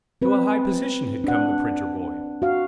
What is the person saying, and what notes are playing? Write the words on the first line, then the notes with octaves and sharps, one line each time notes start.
To a high position had come the printer-boy.
C4 B4
D4 F#5
F#4 F5